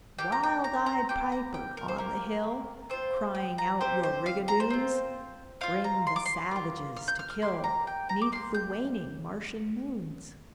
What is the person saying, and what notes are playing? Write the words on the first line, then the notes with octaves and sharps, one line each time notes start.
"Wild-eyed Piper on the hill, Crying out your rigadoons, Bring the savages to kill 'Neath the waning Martian moons!"
A#3 G4 G5
A#5
G5
A#5
A#5
A#3 G4 G5
A#5
G5
A#4
C5
A#3 G4 A#4
C4 F4 C5
G5
A#5
C4 G4 C5
C5
F5
A#5
C5
C4 F4
C4 F4 F5
A#5
C6
D6
C6
A#3 F4
F6
G6
F6
F6
A#3 G4 C6
A#5
G5
A#5
D6
A#3 G4 C6
G6